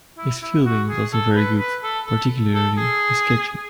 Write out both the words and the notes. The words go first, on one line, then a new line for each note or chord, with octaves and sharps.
His fielding is also very good, particularly his catching.
E4
E4
F#4
G#4
A4
B4
B4
A4
A4
A4
G#4